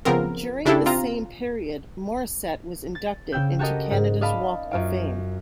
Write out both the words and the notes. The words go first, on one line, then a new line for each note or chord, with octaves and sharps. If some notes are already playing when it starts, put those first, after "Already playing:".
During the same period, Morissette was inducted into Canada's Walk of Fame.
C#3 F3 B3 C4 A#4
C#3 D4 E4 G4 A4
C4 F4 A#5
A6
C#3 G5 E6 G6
F#4 G4 A4 A#4 D#5
G#2
D5 D#5 F5 A5 B5
F#2 F4 D7